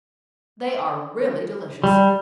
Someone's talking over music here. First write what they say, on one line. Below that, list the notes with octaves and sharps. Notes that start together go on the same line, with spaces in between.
They are really delicious.
G3